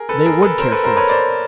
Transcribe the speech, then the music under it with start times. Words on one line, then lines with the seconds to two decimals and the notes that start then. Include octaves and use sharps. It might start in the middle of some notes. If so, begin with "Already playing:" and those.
They would care for it.
Already playing: G#4 A#4
0.09 A4 B4
0.26 G#4 A#4
0.42 A4 B4
0.59 A#4 C5
0.72 A4 B4
0.84 A#4 C5
0.97 B4 C#5
1.09 C5 D5